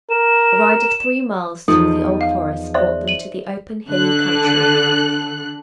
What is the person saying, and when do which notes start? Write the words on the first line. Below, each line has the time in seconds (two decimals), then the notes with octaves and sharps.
A ride of three miles through the old forest brought them to the open, hilly country.
0.10 A#4 E7
1.68 E2 F3 D#4 A4
2.21 F5
2.74 C5 D5 E5 C6
3.08 D#7 F#7
3.89 D3 A4 F#6